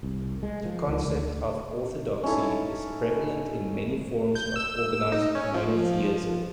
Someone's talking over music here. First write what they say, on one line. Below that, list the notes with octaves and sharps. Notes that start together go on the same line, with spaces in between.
The concept of orthodoxy is prevalent in many forms of organized monotheism.
C2
G#3
F3
C#2
D2
C#4 D#4 E4 A4
G6
E6
D#4
C#4
F3